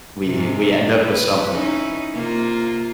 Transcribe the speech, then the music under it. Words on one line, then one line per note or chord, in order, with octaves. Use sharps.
we we end up with something.
G#2 C3
B4
C#4 D#4 E4
C3 A#3 F4